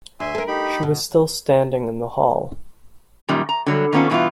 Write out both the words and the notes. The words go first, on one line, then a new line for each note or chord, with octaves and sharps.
She was still standing in the hall.
D2 E5 G#5 C6
A4 A#4
D#4 G4 B5
B2
F#2 A#2 D#3 G3
A#5
D3 F#3 G3
D#3 A#3 B3 C#4 F4 A4
G2 B2 E3 A3 B3 F4